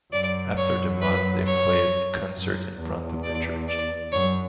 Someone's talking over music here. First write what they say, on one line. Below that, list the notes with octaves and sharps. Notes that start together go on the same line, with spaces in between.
After the Mass they play a concert in front of the church.
F#2 D5
C#5
B4
C#5
F#2
E2
D5
D5
F#2 C#5